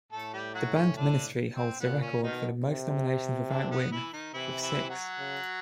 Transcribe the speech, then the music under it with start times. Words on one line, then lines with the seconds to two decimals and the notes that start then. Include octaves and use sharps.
The band Ministry holds the record for the most nominations without win, with six.
0.12 A2 A3 A4
0.33 G3 G4
0.54 F#3 F#4
0.75 C#4
0.97 D3 D4
1.53 C4
1.81 A#2 B3
2.02 C#4
2.23 B2 D#3 D#4
2.66 C3
3.49 D3 D4
3.71 B3
3.91 E3 E4
4.13 D#3 D#4
4.34 C3 E3 E4
4.62 E3 E4
4.90 F#3 F#4
5.19 C#3